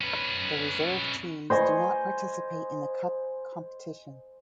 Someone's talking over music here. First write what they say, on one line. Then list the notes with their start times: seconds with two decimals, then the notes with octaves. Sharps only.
The reserve teams do not participate in the cup competition.
0.01 C#4 B4
1.50 C5 D#5 G#5 C#6